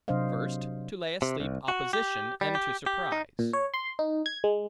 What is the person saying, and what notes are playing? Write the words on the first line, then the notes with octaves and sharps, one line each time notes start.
First, to lay asleep opposition, and to surprise.
C3 F#3 D4 C5 D#5 F5
C3
C2
F#4
G4
G3
G4
G4
D#4
A#2
C#5
C6
D#4
G#6
G#3